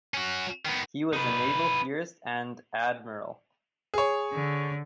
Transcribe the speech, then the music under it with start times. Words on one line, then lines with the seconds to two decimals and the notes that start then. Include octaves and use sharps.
He was a naval theorist and admiral.
0.14 C#4 F#4
0.65 D#3 B3
1.13 D#4 B4
3.94 G#4 C#5
4.33 D3